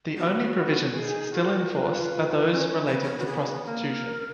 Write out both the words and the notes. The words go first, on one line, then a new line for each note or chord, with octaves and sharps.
The only provisions still in force are those related to prostitution.
B3 F#4
F#4
D#4 F#4 G#4
F#4 A#4
F4 B4
C#4
B3 C#5
B4
C#5
F#4
G#4
A#3 A#4